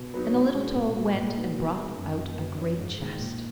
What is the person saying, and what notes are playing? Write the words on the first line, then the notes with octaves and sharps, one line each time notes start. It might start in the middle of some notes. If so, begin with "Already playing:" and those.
And the little toad went and brought out a great chest.
Already playing: B2
F#3 B3 D#4 B4
C#5
B2
G#3 C#4
A#2 B4
F#3 B3
A#2
F#3 B3 D#4
B2 A#4
G#3 D#4
F#2
E3 A#3
F#2 B4
E3 B3 E4 C#5
G#2
D#3 G#3 D#4
A#2